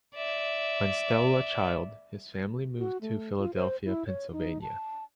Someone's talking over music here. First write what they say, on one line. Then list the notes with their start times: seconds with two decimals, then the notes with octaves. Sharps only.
When still a child, his family moved to Philadelphia, Pennsylvania.
0.16 D5 E5
2.78 F#4
3.01 A3
3.38 F4
3.55 C5
3.85 E4
4.07 C#5
4.32 D#4
4.62 A5